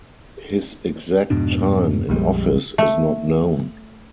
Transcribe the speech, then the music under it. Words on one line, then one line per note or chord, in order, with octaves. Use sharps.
His exact time in office is not known.
F2 G#2 B2 D4
A#1 F2 G3 G#3
A3